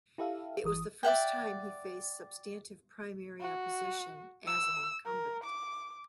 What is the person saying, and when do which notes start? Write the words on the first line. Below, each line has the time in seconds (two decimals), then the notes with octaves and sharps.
It was the first time he faced substantive primary opposition as an incumbent.
0.18 E4 G4 A4 E5 F5
0.64 G1 E3 D#6
1.03 D5 E5 F#5 G5
3.41 F#4
4.47 E6
5.06 A#4
5.44 D6